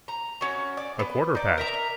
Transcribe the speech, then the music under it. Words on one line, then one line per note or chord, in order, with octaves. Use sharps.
A quarter past.
A#5
C#4 F#4
D5
B3
D#4 D5
A#4 E5 A#5